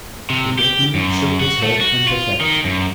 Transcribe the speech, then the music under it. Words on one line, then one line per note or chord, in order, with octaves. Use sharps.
The Brakeman shook his head emphatically.
C3
G4
F#2
F#4
A3
F#4
F4
D#3
F#2